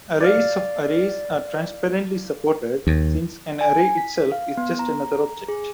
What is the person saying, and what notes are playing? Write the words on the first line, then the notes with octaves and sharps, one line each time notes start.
Arrays of arrays are transparently supported since an array itself is just another object.
D5 F5
D#2
G#5
B6
F5
B3
A#5
G#4